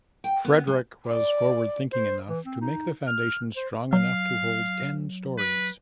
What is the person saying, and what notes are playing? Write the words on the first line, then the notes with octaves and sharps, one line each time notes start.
Frederick was forward-thinking enough to make the foundation strong enough to hold ten stories.
G5
B3
G#3
D5
C5
E3
C4
D#4
F6
C5
F#3 F5
B4